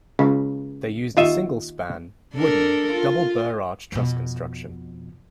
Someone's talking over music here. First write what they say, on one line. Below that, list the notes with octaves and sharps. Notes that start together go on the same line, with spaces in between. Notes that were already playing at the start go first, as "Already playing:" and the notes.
They used a single span, wooden, double Burr arch truss construction.
C#2 C#3
D#2 D#4 F4 D#5 E5
D4 A4 A#4
F4
F2 B2